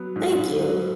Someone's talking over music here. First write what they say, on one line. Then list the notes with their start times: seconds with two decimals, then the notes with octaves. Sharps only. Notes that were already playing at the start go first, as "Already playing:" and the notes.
Thank you.
Already playing: F#3 B3
0.16 G#2
0.38 G#2
0.61 F#3